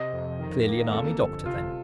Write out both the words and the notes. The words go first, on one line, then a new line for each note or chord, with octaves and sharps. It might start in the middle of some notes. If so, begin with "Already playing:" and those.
Clearly an army doctor, then.
Already playing: C3 D#5
F2
D#3
A#3
F2 A4
G1
C3 F4